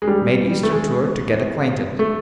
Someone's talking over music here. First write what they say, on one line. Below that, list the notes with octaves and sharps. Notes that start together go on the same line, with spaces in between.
Made Eastern tour "to get acquainted."
G#3
G3
A3
G#3
A3